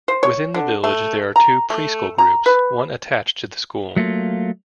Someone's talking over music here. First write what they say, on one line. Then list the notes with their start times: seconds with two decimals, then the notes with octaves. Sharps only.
Within the village there are two pre-school groups, one attached to the school.
0.08 C5
0.23 C#5
0.54 D3
0.84 A3
1.36 A#5
1.70 A3
2.18 A#5
2.46 B4
3.96 F#3 A3 A#3 F4